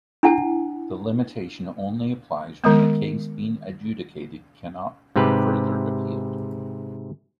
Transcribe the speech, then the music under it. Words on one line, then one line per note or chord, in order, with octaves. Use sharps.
The limitation only applies when the case being adjudicated cannot be further appealed.
D4 E4 F#5 G#5
D#3 G#3 B3
G#2 C3 G4 B4